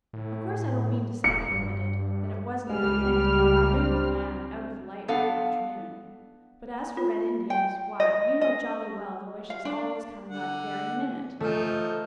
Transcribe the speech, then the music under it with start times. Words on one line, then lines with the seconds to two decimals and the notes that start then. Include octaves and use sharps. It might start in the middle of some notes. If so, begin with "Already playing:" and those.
'Of course I don't mean to say,' he admitted, 'that it wasn't a good thing to get Martha and the Lamb out of the light for the afternoon; but as for Red Indians - why, you know jolly well the wishes always come that very minute.
0.13 A2
1.24 E1 C#7
1.50 G2
2.69 C#2 G3 G#3 F6
3.73 C4 D4
5.08 B3 D4 A4 F5
6.97 F4
7.50 G5
8.00 D#5
8.41 D#5
9.50 F5
9.65 D4
10.30 D3 F#5
11.40 F3 A3 D#4 A4